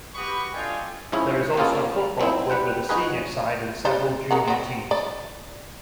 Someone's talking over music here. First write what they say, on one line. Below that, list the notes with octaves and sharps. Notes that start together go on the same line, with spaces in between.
There is also a football club with a senior side and several junior teams.
F#4 G4 B4 B5 C#6 D#6
D4 F4 A4 D#5 G5 G#5
G#2 F3 C#4 E4 G#4
A#3 B3 C#4 F4 G#4 A4
A#3
F#3 C4 D#4 E4
G3 B4 F#5 G5
D#4 F#4 G#4 B4
G3 C5
G#4 A#4 F#5
C4 F#4
D5